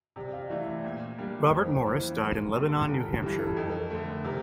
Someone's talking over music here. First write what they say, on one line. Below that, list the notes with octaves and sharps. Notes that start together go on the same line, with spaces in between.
Robert Morris died in Lebanon, New Hampshire.
C3 D5
F5
D5
E3 A3 E5
D5
A#2
G3 A#3 D4
F2 C5
A#4
C5
E3 A#3
G2
D3 G3 A#3
G1 A4
F4
G2 E3 G4
A4
F2 A4
A#4
A4
D3 A3
C3 A#4